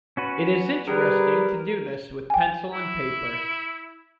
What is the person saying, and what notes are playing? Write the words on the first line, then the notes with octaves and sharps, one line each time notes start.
It is interesting to do this with pencil and paper.
C#4 F#4 B4
G3 G#4 A#4 B4
G5 G#5
E4